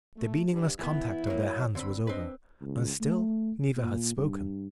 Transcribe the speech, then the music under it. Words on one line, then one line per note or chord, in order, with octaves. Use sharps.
The meaningless contact of their hands was over, and still neither had spoken.
A3
G2
E3 B3 E4
F#3 A#3
D3 C4 B5
C4 D4 B4 D#5
C#2
A3
A#2
G2